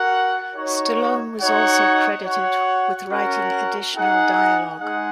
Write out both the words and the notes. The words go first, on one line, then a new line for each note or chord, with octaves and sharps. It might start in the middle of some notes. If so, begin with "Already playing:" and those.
Stallone was also credited with writing additional dialogue.
Already playing: F#4 A#4 F#5
D#4 F#4 C#5
D#4 F#4 C#5 F#5
F#4 C#5 F#5
C#4 F#4 A#4 F#5
D#4 G#4 F#5
G#3 D#4 G#4 F#5